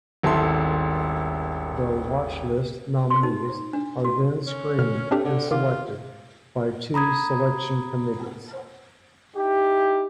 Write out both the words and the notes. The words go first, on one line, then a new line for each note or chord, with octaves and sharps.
All Watch List nominees are then screened and selected by two Selection Committees.
D#1 G#1 E4 A4 C6
C6
D#4
D4
F#4
C#4
B2 D3 F6
A3 C4 D4 G4
D3
D#3 F4 D6
A#5 B5 D#6 G#6
D#4 E4 G4